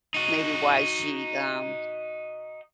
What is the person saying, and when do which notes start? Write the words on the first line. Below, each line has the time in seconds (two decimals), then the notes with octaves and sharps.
maybe why she, um,
0.14 D#4 F#4